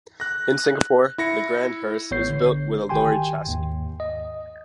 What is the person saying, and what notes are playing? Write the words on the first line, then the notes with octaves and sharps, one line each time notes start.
In Singapore, the grand hearse is built with a lorry chassis.
F#6 A#6
E4 A#6 C#7
A1 B3 C#5 G6 C7
D3
G#1 D#3 G4 G5 G#5 C6
D#2 G#2
D#5